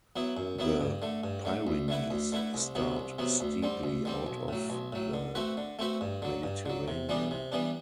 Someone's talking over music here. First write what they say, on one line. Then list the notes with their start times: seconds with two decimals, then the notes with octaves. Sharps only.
The Pyrenees start steeply out of the Mediterranean.
0.16 F#3 B3 E4
0.37 F#2
0.59 F#3 B3 E4
0.81 G2
1.02 D3 A3
1.24 G2
1.45 D3 A3
1.67 D2
1.88 D3 A3 E4 B4
2.10 D2
2.32 D3 A3 E4 B4
2.54 C2
2.75 C3 F#3 B3
2.96 C2
3.18 C3 F#3 B3
3.40 D2
3.63 D3 G3 C4
3.83 D2
4.05 D3 G3 C4
4.26 B1
4.48 A2 F#3
4.70 B1
4.92 A2 F#3
5.13 D3
5.35 A3 C4 F#4 B4
5.57 D3
5.79 A3 C4 F#4 B4
6.01 G2
6.22 D3 F#3
6.43 G2
6.66 D3 F#3
6.88 C3
7.09 E3 G3 B3 D4
7.31 C3
7.52 E3 G3 B3 D4